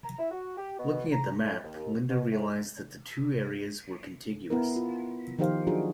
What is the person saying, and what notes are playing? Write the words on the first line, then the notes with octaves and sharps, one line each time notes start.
Looking at the map, Linda realised that the two areas were contiguous.
A#5
E4
F#4
G4
B2
A#5
A2
D#2
B2
A2
B3 E4 A#4
F4
D#3 F3 D#4 G4 C5 F5
F#3 D4 D#4 F4 F#4 G#4